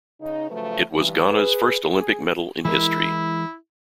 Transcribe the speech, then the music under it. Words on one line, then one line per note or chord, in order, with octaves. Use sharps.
It was Ghana's first Olympic medal in history.
C#3 D#4
C#3 F3 F#3 A3 B4
G2 E3
G#4 B4
G#4
E3 G#3 E4 A#4